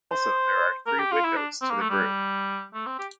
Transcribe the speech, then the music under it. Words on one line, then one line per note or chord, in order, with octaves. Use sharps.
Also there are three windows to the room.
C5
A#4
G4
F4
E4
D4
C4
A#3
A3
G3
A3
C4
G4